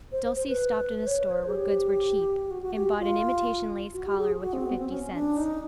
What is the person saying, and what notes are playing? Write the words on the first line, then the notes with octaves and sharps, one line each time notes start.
Dulcie stopped in a store where goods were cheap and bought an imitation lace collar with her fifty cents.
C5
C5
C5
B4
C#5
C5
G#4
G4
F#4
F#4
G4
F4
F#4
G4
G#4
F#4
C4
B3
C4
C#4
D4
D#4